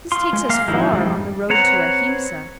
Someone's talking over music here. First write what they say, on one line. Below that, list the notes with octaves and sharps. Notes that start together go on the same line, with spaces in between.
This takes us far on the road to Ahimsa.
F4 C6
G#3
A#3 F5
D1 G#1 F3 F#3 D#4 E4
F2 G#2 F3 G3
C4 B4 C#5 F#5 A#5